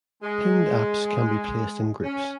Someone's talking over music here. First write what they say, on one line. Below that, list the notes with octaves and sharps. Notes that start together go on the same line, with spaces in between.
Pinned apps can be placed in groups.
G#3
C#4